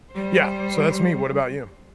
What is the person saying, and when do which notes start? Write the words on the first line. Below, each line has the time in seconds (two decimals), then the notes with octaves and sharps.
yeah. So, that's me, what about you?
0.12 G3 C5